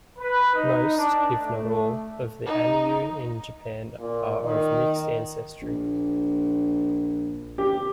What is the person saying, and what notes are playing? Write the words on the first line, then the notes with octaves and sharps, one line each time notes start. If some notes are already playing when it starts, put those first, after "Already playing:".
Most, if not all, of the Ainu in Japan are of mixed ancestry.
B4
D#4
D4
A3
D#4
A#2
D#3
A#1
G4